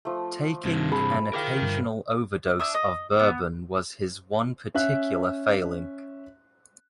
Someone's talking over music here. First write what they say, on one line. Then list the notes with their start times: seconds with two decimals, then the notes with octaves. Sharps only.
Taking an occasional overdose of Bourbon was his one particular failing.
0.05 F3 A3
0.65 G2 C3
0.92 G#4 A5 B5
1.33 A#4 F5 G5 D6
1.62 G2
2.60 D4 E5 D#6
2.75 D#5
3.19 B3
4.75 C#4 E5 F#6